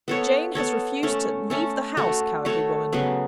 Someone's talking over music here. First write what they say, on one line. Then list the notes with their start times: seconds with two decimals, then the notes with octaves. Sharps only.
Jane has refused to leave the house, cowardly woman!
0.08 B3 A4 C#5
0.55 B3 A4 C#5
1.03 A3 C#4 A4 C#5
1.50 A3 C#4 A4 C#5
1.97 A3 F#4 A4 C#5
2.45 A3 F#4 A4 C#5
2.93 C#3 F#3 B3